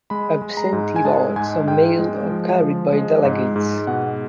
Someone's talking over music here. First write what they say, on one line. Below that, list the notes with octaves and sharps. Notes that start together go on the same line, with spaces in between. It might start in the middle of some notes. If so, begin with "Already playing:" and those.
Absentee ballots are mailed or carried by delegates.
G#3 B5
G#3
A#5
G#2
G#5
G#3 A5
G#2 G#5
G#2 G5
G#3
F3
F3
G#3
G#2
G#2
B2 F#5